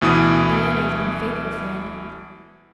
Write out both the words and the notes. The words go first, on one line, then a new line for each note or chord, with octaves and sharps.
Diana has been a faithful friend.
D2 B2 E3 E4 D#6